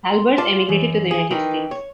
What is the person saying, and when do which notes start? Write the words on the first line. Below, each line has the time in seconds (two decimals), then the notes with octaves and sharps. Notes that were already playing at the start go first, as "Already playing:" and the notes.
Albers emigrated to the United States.
0.05 C6
0.38 F4 D5 A5
0.69 F#2 E3
1.11 G#4
1.31 D#3 E3 D#4 G5
1.71 C#5